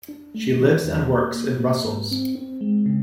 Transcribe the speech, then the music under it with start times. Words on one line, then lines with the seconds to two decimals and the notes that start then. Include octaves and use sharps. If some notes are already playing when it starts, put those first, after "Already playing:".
She lives and works in Brussels.
0.08 D4
0.35 A3
0.59 D#3
0.85 E2
1.10 A#3
1.36 A#3
1.60 A#3
1.85 G#2
2.11 C4
2.35 C4
2.61 G#3
2.86 C#3